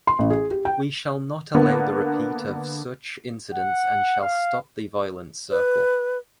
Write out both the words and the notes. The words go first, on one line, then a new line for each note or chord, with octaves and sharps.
We shall not allow the repeat of such incidents and shall stop the violence circle.
C6
A1
G#4
G4
G5
D3 A#3 B3
F#5
F5
B4